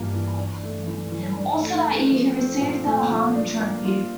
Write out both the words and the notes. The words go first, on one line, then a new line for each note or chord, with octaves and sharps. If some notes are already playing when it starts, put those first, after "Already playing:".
Also that year, he received the Harmon Trophy.
Already playing: G2 E3 A#3 F4
E3
D4
A3
E3
E3
D4
A3
A3
F3
C4
A#2
A3
F3
D4
A#3
F4